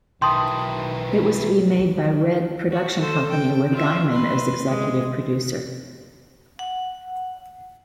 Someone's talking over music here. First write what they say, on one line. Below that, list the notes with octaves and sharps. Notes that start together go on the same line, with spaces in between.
It was to be made by Red Production Company with Gaiman as executive producer.
B1 D#3 E3 G5 A5 C6 D#6
F#4
A4 C5
G5
F4 E5
B4 C6
G#3
F#5